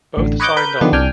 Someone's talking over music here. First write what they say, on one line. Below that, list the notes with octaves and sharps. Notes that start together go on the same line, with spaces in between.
Both signed on.
A1 D3
B4 C#5 D#5 F#5 D6 G6
A#4 B4 G6
D3 D#3 F3 B3 G4
C2 D4 G5 G#5 F6